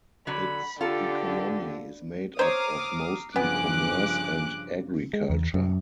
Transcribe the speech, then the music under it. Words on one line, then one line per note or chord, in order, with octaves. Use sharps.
Its economy is made up of mostly commerce and agriculture.
D3 F#3 B5
D3 F4 G4 A4
C5 C#5 A#5 D6 D#6 F6 C7
G2 C#3 F3 B3 G#5 D6 F#6
G#3
E2
F#2